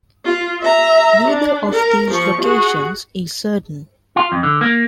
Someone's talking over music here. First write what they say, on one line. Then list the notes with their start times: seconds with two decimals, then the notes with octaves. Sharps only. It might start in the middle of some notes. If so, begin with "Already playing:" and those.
Neither of these locations is certain.
0.24 F4
0.60 E5 A#5
1.28 D4
1.71 A#4
2.11 F3 C#6
2.42 F#4 G#4
4.16 F4
4.32 F2
4.43 D3
4.61 A#3